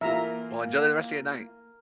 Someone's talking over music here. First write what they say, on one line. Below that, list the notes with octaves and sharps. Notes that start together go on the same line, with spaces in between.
Well, enjoy the rest of your night.
E3 A#3 F4 A#4 E5 A#5